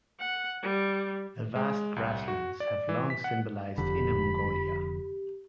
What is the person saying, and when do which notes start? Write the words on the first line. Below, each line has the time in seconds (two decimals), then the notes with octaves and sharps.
The vast grasslands have long symbolised Inner Mongolia.
0.20 F#5
0.63 G3
1.56 G#3
1.96 C2
2.28 F#4
2.60 D5
2.89 E3
3.10 B6
3.24 F#5
3.78 F1 F2 D3 G4 B5